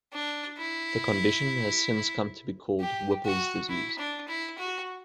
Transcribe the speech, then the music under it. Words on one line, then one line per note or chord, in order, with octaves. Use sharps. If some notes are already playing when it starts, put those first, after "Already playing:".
The condition has since come to be called Whipple's disease.
D4
E4
G4
F#4
E4
D4
E4
F#4